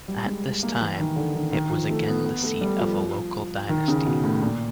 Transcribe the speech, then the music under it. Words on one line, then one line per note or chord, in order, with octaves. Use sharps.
At this time, it was again the seat of a local dynasty.
G3
G#3
A#3
E3
D#3
D3
D#3
D#3
F3
A3
B3
B3
A3
G3
F3
D#3
C#3
B2
A2
A#2